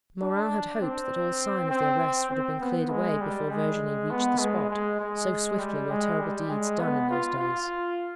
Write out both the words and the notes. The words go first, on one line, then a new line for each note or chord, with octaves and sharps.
Morin had hoped that all sign of the arrest would have been cleared away before Virginie reached the spot--so swiftly were terrible deeds done in those days.
D4
C4
C4
C4
B3
G#3
G3
G#3
B3
G#3
G#3
G#3
G3
G#3
G3
G#3
B3
F4
F4